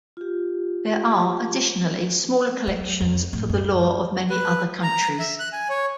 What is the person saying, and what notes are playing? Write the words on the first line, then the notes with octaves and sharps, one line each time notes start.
There are, additionally, smaller collections for the law of many other countries.
F4 G4
F#3
F2
A2
F#2
B4
A#5
E5
F#6
G#5
C#5